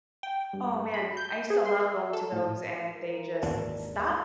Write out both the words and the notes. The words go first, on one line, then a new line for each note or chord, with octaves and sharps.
oh, man, I used to love going to those and they just stopped
G5
G2
B5
G6
G#4
C6
E5
A4
A2
E3 G#3 A#4
G#1 D#2 D4